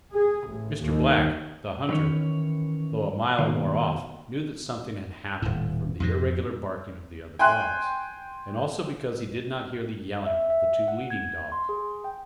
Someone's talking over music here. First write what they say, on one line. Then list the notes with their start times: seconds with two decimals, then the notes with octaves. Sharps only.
Mr. Black, the hunter, though a mile or more off, knew that something had happened from the irregular barking of the other dogs, and also because he did not hear the yelling of the two leading dogs.
0.13 G#4
0.48 A1
0.82 D#2
1.89 D#3 E3 C#4 C#5
3.38 B2 D#3 A#3
5.42 D#1 A2
6.00 F2 G#2 B2
7.39 G5 G#5 C6 F#6
10.26 E5
10.50 E5
10.88 F#5
11.10 G#6
11.52 C6
11.69 G#4
12.04 G5